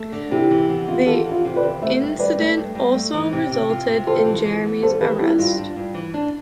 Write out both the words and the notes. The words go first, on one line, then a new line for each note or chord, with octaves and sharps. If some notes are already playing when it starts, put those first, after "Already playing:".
The incident also resulted in Jeremy's arrest.
Already playing: A3
D3
C3 E4 G4
E3
E2
E3 F4
G4
E2 F4 A4
E3
F4
C3
B4 D5
E2
A3 C5 E5
G2
G2 B4 D5
A3
G2
G2
A3
E3
C3
C3
F4
C3
F4 A4 C5
E3
E3
B3
G3 A4 C5
E3 G4 B4
G3 E4 G4
G2 F4
D4
G2
E3
D4